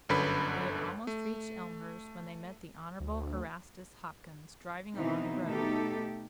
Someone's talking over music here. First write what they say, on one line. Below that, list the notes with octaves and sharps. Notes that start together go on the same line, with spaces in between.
They had almost reached Elmhurst when they met the Honorable Erastus Hopkins driving along the road.
G1 F#2 D3 B4 B5
A3
D2
B2 D#3 E3 B3 C4 D#4
B2 A3 D#4 G4 A4